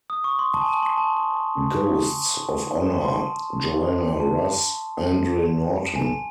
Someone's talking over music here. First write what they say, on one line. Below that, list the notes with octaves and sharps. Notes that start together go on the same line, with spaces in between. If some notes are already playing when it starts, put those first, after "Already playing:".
Ghosts of Honour: Joanna Russ, Andre Norton.
D#6
C#6
C6
A5
G#5
A5
C6
A5
A5
A5
C6
A5
G#5